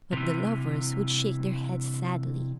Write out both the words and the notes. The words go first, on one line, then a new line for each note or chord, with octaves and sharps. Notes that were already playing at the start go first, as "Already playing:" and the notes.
But the lovers would shake their heads sadly.
C3 E3